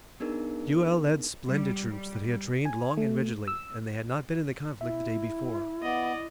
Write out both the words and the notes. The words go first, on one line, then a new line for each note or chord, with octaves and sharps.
Buell led splendid troops that he had trained long and rigidly, and they had not been in the conflict the day before.
B3 D4 D#4 G#4 A#4
G3
G3
G#5
A3
E6
E4 E5
B3 D5 D#5